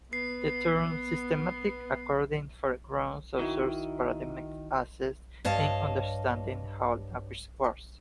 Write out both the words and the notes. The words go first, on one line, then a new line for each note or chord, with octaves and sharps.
The term "systemic" accordingly foregrounds Saussure's "paradigmatic axis" in understanding how language works.
B3 C7
D#3 E4 F#4
G2 C#5 D#5 F5 A5